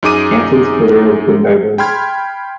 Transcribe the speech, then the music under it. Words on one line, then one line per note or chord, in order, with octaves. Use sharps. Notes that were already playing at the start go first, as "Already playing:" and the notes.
Hanson's career has been diverse.
F#2 D#4 G#4 D6 D#7
G5 B5 C6 F6 G#6